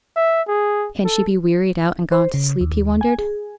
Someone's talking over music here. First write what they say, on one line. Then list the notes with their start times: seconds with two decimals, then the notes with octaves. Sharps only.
Can she be wearied out, and gone to sleep, he wondered.
0.16 E5
0.48 G#4
1.04 A4
2.12 C5
2.34 C#3
2.61 D#2
3.01 G#5
3.18 G#4